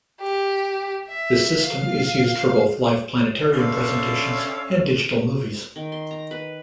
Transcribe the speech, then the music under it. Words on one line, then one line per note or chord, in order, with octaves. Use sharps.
This system is used for both live planetarium presentations and digital movies.
G4
E5
F5
D3 C#4 E5 F5
D#3
C6
A#5
B4